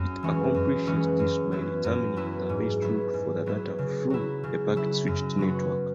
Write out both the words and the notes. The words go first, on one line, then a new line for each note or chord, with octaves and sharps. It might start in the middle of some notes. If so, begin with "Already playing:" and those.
It accomplishes this by determining the best route for data through a packet-switched network.
Already playing: F#2
E3 G#3 C#4 F#4
F#2
E3 G#3 C#4 F#4
F#2
F#3 B3 E4
F#2
F#3 B3 E4
G#2
F#3 B3 E4
G#2
F#3 B3 E4
C#3
F#3 E4
C#3
F#3 E4
F#2
F#3 B3 F#4